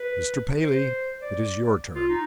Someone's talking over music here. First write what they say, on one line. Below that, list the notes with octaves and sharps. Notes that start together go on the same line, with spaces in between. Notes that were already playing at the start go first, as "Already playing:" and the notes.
"Mr. Paley, it is your turn."
Already playing: B4
C5
D5
F4
D#4